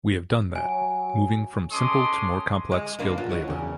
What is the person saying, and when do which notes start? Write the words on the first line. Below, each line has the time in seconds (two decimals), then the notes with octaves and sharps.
We have done that, moving from simple to more complex skilled labor.
0.55 F#3 G#5
1.71 G#3 C#4 A4 C6 D6 D#6
2.71 G#3
2.99 F#2 A#3 D4 B4
3.18 F#3 F4
3.29 E4 C#5 D#5
3.48 E2 C#3